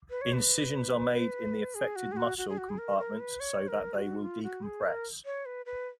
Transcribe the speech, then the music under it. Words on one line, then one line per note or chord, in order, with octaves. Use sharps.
Incisions are made in the affected muscle compartments so that they will decompress.
B4
C#5
B4
G#4
F#4
G#4
F#4
F#4
G#4
F#4
G#4
A#4
A#4
B4
C#5
A#4
F#4
F4
F#4
G#4
A#4
C#5
B4
B4